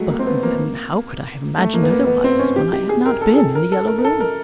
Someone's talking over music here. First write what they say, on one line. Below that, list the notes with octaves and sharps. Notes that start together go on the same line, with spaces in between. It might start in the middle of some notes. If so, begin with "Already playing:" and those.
But then, how could I have imagined otherwise when I had not been in The Yellow Room!
Already playing: F#3 G#3 A3
A#3
C4
B3
A#3
A3
A#3
B3
A#3
B3
C4
C#4
G4
G4
G#4
A#4
A4
G#4
A4
A#4
A4
A#4
A#4
A4
A#4